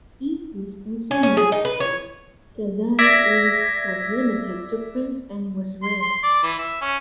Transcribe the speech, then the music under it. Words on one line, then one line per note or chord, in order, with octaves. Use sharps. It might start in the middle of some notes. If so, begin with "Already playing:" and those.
It was also noted that shazai use was limited to print and was rare.
C#4
C#4
G#4
D#4
B4
C#5
D5 E5 G#6 A#6 B6
C6
C6
D5
E3
E5
C#4